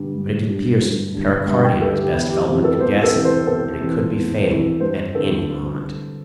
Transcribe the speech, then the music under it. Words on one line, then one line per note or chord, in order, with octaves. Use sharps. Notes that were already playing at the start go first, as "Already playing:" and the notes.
But it had pierced the pericardium, as best Feldman could guess, and it could be fatal at any moment.
Already playing: G2 D3 G3 D4
G2
D3 G3 D4
G2
D3 G3 D4
G2 E5
G5
D3 G3 D4 A4
G4
E2 E4
G4
C3 E3 C4 G4
A4
E2 C5
A4
C3 E3 C4
C5
E2 A4
C3 E3 C4
E2
C3 E3 C4
G2 C5
D3 C4 A4